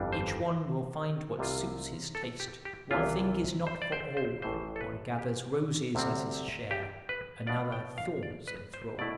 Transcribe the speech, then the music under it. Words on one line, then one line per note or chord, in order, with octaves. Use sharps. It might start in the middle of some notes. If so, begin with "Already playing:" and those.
Each one will find what suits his taste, one thing is not for all, One gathers roses as his share, another thorns enthrall.
Already playing: G1 F2 E3 G3 D4
C5
C2 C3 G3 C4 F4
A4
G4
G4
C2 C3 E3 B3 E4 F4
C5
D5
C5
C5
A1 A2 E3 C5
A4
B4
G4
D2 C3 G3 C4
G4
B4
B2 B3 D4 F4 D5
G5
F5
D5
B4
C5
B2 A3 E4 D5